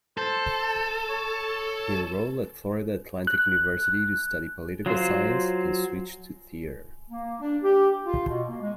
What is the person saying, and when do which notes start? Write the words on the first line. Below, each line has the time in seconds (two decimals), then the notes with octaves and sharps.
He enrolled at Florida Atlantic University to study political science and switched to theatre.
0.18 A4 C5
1.10 C#5
3.27 F#6
4.86 F#3 F4 C5
7.11 A#3
7.42 D4
7.63 G4
8.06 F4
8.28 B2
8.49 A#3
8.62 G#3